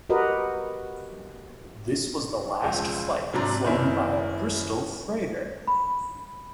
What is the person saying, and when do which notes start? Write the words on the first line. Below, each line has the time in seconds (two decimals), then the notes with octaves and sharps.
This was the last flight flown by a Bristol Freighter.
0.09 F#4 G4 A#4 B4 D#5
2.64 E1 C#2 F3
3.33 G#1 C3 F#3 D4 A#5
3.64 F#1 D#3 C#4 E4 B4
5.67 B5